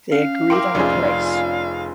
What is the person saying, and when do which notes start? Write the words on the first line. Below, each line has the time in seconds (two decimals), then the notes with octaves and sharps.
They agreed on a price.
0.12 C#4 F5
0.50 E4 A#4 G5 C6 D6
0.75 F1 C#4 F4 G#4 C5 D5 E5
1.08 F4